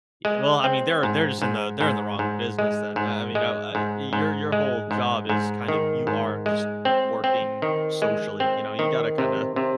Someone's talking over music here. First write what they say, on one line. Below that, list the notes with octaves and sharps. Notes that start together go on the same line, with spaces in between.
Y well, I mean, they're they're just in the they're in the wrong business then, I I mean, I w I your your whole job is kind of you are just working socially, you know? You gotta kinda
G#3
C4
G#2
G#2
G#2
G#2
G#3
G#2
G#3
G#2
G#2
G#3
G#2
G#2
D#3
G#2
G#3
C4
C4
D#3
G#3
C4
D#3
C3
C3